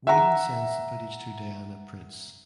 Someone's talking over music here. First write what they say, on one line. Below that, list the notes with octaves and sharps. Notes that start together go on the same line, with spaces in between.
Wayne sends the footage to Diana Prince.
E5 F#5 A#5